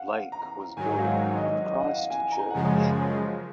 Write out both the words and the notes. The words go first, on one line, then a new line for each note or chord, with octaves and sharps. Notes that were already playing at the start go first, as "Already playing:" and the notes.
Lake was born in Christchurch.
Already playing: F5 F#5
A#5
G#2 D#3 F#3 G#5
F5
F#5
D#5
D#5
F#5
F5
G#5
A#5
F#5
F#2 C#3 F3 G#3 G#5